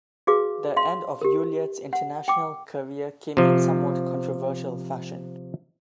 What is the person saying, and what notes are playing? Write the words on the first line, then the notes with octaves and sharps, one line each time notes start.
The end of Ulyett's international career came in somewhat controversial fashion.
F#4 G#4 B4 F5 D6
F5 C6
G4 A#4
F#5
G5 D6
C3 F3